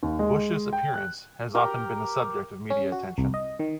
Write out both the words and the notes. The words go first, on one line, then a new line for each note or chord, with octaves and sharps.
Bush's appearance has often been the subject of media attention.
D#2
G#3
G5
F#6
G4 A#4 G5
C#4
F#4
C2
D#5
D#3